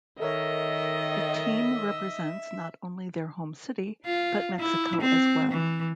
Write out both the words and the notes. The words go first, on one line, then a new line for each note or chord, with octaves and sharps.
The team represents not only their home city, but Mexico as well.
D#3 A4 A#4 C#5 D#5 E5
F4
E4
C4
E3